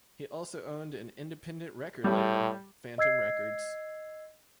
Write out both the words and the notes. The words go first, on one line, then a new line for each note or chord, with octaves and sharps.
He also owned an independent record label, Phantom Records.
A2 G3
D#5 E6 G#6 C7